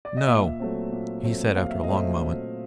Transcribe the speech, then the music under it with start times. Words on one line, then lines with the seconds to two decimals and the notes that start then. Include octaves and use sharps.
"No," he said after a long moment.
0.05 D5
0.17 D#5
0.27 A#2 E5
0.60 F#3 A3 C4
0.92 A#2
1.24 F#3 A3 C4
1.56 A#2 F5
1.70 E5
1.83 D#5
1.89 F#3 A3 C4
1.96 E5
2.21 A#2